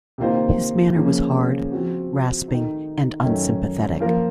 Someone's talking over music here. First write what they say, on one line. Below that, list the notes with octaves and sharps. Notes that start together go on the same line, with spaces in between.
His manner was hard, rasping, and unsympathetic.
C3 D#3 A#3 F4 C5
C#3 F3 A#3 C#4
F3 C4 F#4
D#3 A3 D#4
F#2 D#3 A3 C#4
F3 A#3 F4 A#4